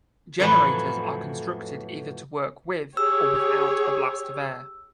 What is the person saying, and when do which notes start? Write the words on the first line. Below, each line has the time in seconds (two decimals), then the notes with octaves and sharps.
Generators are constructed either to work with or without a blast of air.
0.40 F2 A2 E3 F#3 B4 F#5
2.97 G4 G#4 C#5 E6